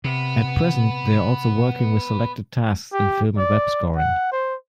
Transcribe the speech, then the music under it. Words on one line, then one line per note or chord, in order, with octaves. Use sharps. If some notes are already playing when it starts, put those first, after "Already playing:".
At present, they are also working with selected tasks in film and web scoring.
C3 B3
G4
D5
F#5
C5